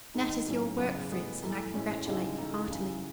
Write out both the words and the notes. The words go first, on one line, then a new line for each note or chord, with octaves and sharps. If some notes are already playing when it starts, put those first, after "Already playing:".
Nat is your work, Fritz, and I congratulate you heartily.'
D#2 D#3 G#3 D#4
A2 F#3 C#4
E2 C#3 F#3 B3
A2 G#3 B3
F#2 E3 A3
A2 E3 G#3 C#4 E4
D#2 C#3 G#3 C#4 E4
C#3 E3 A3 D#4
F#2 C#3 E3